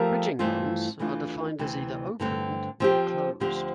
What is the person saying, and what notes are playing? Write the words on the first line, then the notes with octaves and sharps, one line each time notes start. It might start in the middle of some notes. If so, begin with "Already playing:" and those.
Bridging loans are defined as either 'opened' or 'closed'.
Already playing: F3 A3 C4 G4 A#4
G2 E3 A3 C4 F4
E2 E3 A3 D4 F4
D2 C3 E3
G2 D3 A3 C4
F3 C4 G4
D2 D3 F3 C4 G4